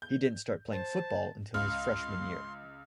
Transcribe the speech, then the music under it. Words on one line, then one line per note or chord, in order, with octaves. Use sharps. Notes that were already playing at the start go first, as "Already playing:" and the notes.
He didn't start playing football until his freshman year.
G6
C5 A5
C#2 F5 C6 F6